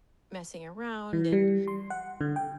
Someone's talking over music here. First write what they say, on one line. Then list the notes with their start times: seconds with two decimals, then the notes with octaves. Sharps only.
messing around and
1.13 E3
1.32 G3
1.68 C6
1.90 F#5
2.21 D3
2.36 G5